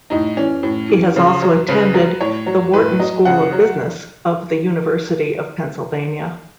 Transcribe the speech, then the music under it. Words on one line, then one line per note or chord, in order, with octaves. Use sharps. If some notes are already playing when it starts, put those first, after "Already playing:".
He has also attended the Wharton School of Business of the University of Pennsylvania.
A2 D#4
E3 C#4
A2
E3
C#3
F#3
C#3 B4
F#3
A2 C#5
F#3
A2 B4
F#3 D#5
C#3 F#5
F#3